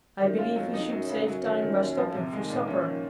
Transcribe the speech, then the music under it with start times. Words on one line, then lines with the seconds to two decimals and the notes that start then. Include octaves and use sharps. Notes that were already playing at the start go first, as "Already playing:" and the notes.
I believe we should save time by stopping for supper.
0.21 F#2 D#3
0.39 F4
0.56 F2 F#3
0.74 D#4
0.91 F#2 F#3
1.09 C#3
1.27 F#2 F#3
1.45 D#3
1.62 D#3
1.80 D#2
1.97 F3
2.15 C3
2.33 D#3 G#3
2.50 A#2
2.67 F3 C#4
2.85 D#3